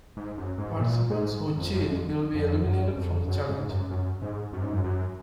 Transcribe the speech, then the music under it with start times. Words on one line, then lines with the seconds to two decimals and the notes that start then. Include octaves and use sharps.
Participants who cheat will be eliminated from the challenge.
0.17 G#2
0.38 F#2
0.58 G#2
0.80 A#2
1.10 G#2
1.58 F2
1.73 F#2
1.88 F2
2.34 F2
2.65 F#2
2.96 F2
3.27 F#2
3.49 G#2
3.69 F#2
3.90 F#2
4.22 G#2
4.53 F#2
4.63 G#2
4.73 F#2
4.84 F#2